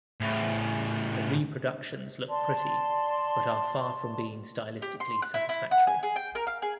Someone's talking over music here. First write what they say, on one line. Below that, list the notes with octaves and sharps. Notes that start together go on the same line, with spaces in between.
The reproductions look pretty, but are far from being stylistically satisfactory.
A2 C#3
D5 A5 C6
G4
C6
F#6
E4
E4
F#5
G#5
G#4
G5
A#4
F5
G#4